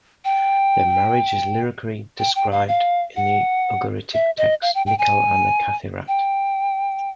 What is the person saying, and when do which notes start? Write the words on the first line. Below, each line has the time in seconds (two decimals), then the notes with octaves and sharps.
Their marriage is lyrically described in the Ugaritic text "Nikkal and the Kathirat".
0.25 G5
2.19 G5
2.36 G5
2.52 F5
2.68 F5
3.16 F#5
4.14 E5
4.38 D#5
4.62 F5
4.75 G5
4.87 G5
4.99 G#5
6.08 G5